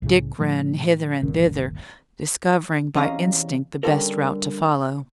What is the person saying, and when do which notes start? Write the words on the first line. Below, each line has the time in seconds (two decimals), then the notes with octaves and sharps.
Dick ran hither and thither, discovering by instinct the best route to follow.
0.02 C2 A2 C#3
0.39 A2 F3 A3
1.22 D1 G1 A#2 D#3
2.95 E2 C3 C#4 D#5 F5 A#5
3.83 D3 G3 C#4 F4 A4 A#4